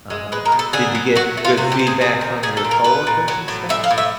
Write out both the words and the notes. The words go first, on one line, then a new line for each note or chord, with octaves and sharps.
Uh-huh, did you get good feedback from your coworkers and stuff or
G#3
G#3 B4
A#4
B2
A4
D3 G#4
F#3
F#3 F#4
A3
F4
C3 F#4
G4
C3
G#4
C3 G#4
D#3
A#2 G#4
A4
A#2
A#4
A3 B4
A#2
F#3
A2
A2 E5
F5
A2
E5